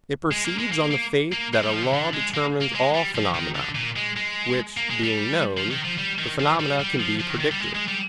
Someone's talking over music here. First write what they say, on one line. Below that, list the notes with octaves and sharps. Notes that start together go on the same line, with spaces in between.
It proceeds on the faith that a law determines all phenomena, which being known, the phenomena can be predicted.
G#3
A#3
G#3
A#3
A#3
A#3
G#3
G3
F3
D3
D3
G#3
A#3
A#3
G#3
G3
F3
D#3
D3
A#2
G#3
G#3
A#3
G#3
G3
F3
D#3
F3
G3
D#3
F3
G3
G3
F3
F3
D#3
D#3
G3
G#3
G#3
G3